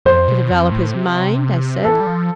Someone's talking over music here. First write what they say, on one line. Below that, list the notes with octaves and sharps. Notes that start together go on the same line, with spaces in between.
"To develop his mind," I said.
F2 C5
B2
F2
A2
C3
E3 A4
G3
F3